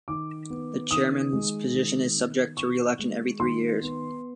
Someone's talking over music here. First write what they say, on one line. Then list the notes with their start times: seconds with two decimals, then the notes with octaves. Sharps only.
The chairman's position is subject to re-election every three years.
0.08 D#3 D6
0.50 B3
0.91 D#3 D#6
1.33 G#3
1.75 D#3
2.16 B3
2.57 D#3 C#6
2.99 G#3
3.40 D#3 C6
3.82 B3